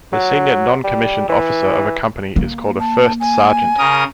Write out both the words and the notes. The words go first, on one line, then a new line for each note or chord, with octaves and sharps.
The senior non-commissioned officer of a company is called a first sergeant.
F#3
G3
E3
A#3
A5
G#5
C#3 A#4 D#6